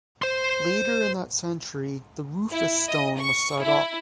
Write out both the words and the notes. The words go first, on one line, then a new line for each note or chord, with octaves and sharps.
Later in that century the Rufus Stone was set up.
C5 C6
E4
D#5
C#6
E4